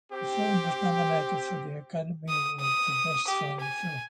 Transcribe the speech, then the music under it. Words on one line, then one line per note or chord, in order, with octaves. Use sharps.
The film was nominated for the Academy Award for Best Foreign Film.
C4 G4
D#6
D#6
G4
G#5